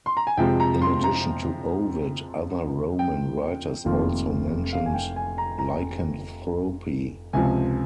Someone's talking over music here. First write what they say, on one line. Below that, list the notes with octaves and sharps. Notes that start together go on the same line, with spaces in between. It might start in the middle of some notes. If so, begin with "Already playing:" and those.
In addition to Ovid, other Roman writers also mentioned lycanthropy.
C6
A#5
G#5
F2 C3 F3 G#3 G5
A#5
C6
A#5
G5
F1 F2 D#3 A#3 F4
F5
G#5
G5
G#5
A#5
A#5
C#2 C3 F3 G#5